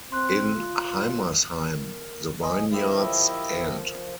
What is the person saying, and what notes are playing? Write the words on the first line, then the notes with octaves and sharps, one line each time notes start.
In Heimersheim, the vineyards end.
C4 C6 F#6
F4
A#4
D#5 G#5
F3 E4 G4 A#4 D#5 E5